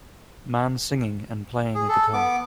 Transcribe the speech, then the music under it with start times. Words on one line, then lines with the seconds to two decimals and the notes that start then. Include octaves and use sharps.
Man singing and playing a guitar.
1.75 G#4
1.89 A4
2.13 B3 D6